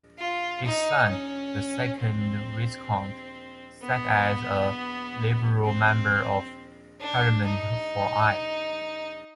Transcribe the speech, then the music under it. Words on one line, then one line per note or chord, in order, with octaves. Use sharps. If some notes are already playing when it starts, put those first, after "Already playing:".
His son, the second Viscount, sat as a Liberal Member of Parliament for Eye.
F4
D#4
C#4
C4
B3
C4
D4
D#4